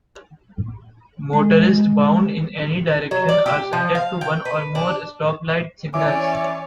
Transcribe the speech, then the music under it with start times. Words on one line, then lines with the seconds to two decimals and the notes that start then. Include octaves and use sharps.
Motorists bound in any direction are subject to one or more stoplight signals.
1.33 G#3
3.11 F#3
3.29 D5
3.46 G4
3.73 F3
3.95 F5
4.21 G5
4.45 B4
4.75 D4
5.94 E3 C#4 C#5 D5 E5 G#5 D6